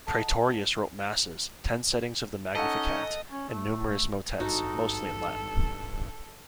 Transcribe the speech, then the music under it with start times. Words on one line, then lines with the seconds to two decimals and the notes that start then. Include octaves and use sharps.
Praetorius wrote masses, ten settings of the Magnificat, and numerous motets, mostly in Latin.
0.07 A4 D#5 F#5 A#5
2.55 C#4 D#4 A4 D#5 F#5
3.31 C#4
3.49 A3
4.40 G#1 G2 D#4 F#4 A4